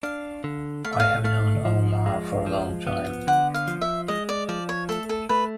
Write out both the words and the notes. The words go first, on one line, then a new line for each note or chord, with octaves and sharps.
I have known Omar for a long time.
D4 F5
D3
A3 F5
E5
F5
A3 F5
F3
G#3
F3
B3
D3 F#5
F5
F3
E5
G#3 D#5
D5
F3 D5
C#5
A3 A4
A4
A3 B4